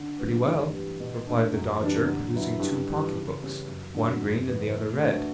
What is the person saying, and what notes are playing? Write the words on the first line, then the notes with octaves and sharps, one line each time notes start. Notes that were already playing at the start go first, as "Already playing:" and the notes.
'Pretty well,' replied the Dodger, producing two pocket-books; one green, and the other red.
Already playing: D3
F#3 A3 E4 B4
G2
E3 G3
B2
A3 D4
F#2
E3 G3 D4
D3
F#3 B3 E4
G2
E3 G3
C#3
G3 C#4
F#2
D3 F#3
F#2
C#3 E3 B3 E4
A3
D4 F#4 B4 E5